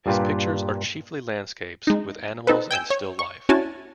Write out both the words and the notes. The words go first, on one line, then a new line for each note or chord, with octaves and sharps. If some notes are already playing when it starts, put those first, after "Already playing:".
His pictures are chiefly landscapes with animals and still life.
G2 A#2 F4 G4 B4
G#3 D#4
C4 D#4 A4 B4
G5 G#5 E6 G6
C#5
C#6
C#4 D4 E4 F#4 G#5 A5